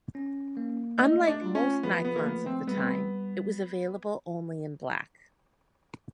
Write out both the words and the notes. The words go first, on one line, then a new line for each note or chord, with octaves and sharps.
Unlike most Nikons of the time, it was available only in black.
C#4
A#3
A3 D#4
D#4
D4
F4
C#4
F3 B3
B3
A#3
A3 B3
C4
G3 B3
C4
B3